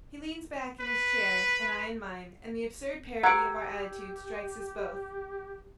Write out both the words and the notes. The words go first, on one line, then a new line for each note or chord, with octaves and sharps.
He leans back in his chair, and I in mine, and the absurd parody of our attitude strikes us both.
B4
G4 F#5 A#5 E6 G#6 D7